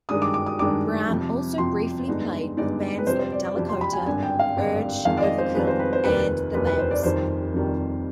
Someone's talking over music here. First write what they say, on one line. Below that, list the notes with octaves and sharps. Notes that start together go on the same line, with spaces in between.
Browne also briefly played with bands Delakota, Urge Overkill and The Lams.
G2 D#3 G#3 D4 D#6
D6
D6
D#6
G2 D#3 G#3 D4 D6
F2 C3 F3
F2 C3 F3 C6
G2 D3 G#3 B3 D#4
G2 D3 G#3 B3 D#4 D5
B4
F2 C3 G3 C5
C5
D5
D5
F2 C3 G3
C6
B5
G#5
G#1 G2 D3 G#5
G5
F5
G#1 G2 D3
F2 D#3 G#3 F5
D5
D#5
C5
F2 D#3 G#3 B4
C5
B4
C5
F1 D#2 D#3 B4
F1 D#2 D#3 B4
B4
C5
D5
F1 F2 D#3 G3 C5
F1 F2 D#3 G3